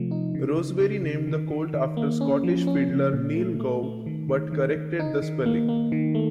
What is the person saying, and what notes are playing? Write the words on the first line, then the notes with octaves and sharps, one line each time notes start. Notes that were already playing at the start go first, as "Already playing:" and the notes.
Rosebery named the colt after the Scottish fiddler Niel Gow but "corrected" the spelling.
Already playing: C3 F3 A3
D#4
C#3
C#3
C#3
C#3
D#3
D#3
D#3
A#3
C#4
F3
C#4
C#3
A#2
A3
A3
A3
D#3
D#3
D#3
D#3
D#4
D#3
A#3
A#3
D#3
A3